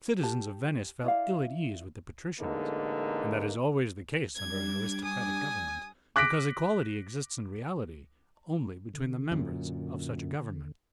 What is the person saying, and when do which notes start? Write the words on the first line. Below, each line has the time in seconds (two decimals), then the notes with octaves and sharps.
The citizens of Venice felt ill at ease with the patricians, and that is always the case under an aristocratic government, because equality exists in reality only between the members of such a government.
0.21 G4 A5
1.04 E4 D5 F5
2.40 A1 D3 G#3 A#3 D#4
4.36 G3 D4 D6 G#6
5.05 G#5 D#6
6.16 D6 F#6 A#6 B6 D7
8.94 D3
9.32 F#2 A#2